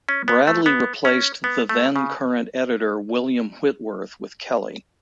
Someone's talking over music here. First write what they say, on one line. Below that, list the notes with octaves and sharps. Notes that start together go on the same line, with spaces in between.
Bradley replaced the then current editor William Whitworth with Kelly.
C#4
B3
A3
B3
C#4
B3
A3
C#3